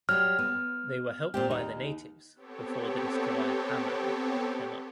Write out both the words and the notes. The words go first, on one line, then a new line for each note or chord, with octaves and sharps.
They were helped by the natives before the destroyer "Hammann" picked them up.
F#3 G3 F6
B3
A#2 C4 G4
D#2 D#4
B3 C4 G4 A4 C#5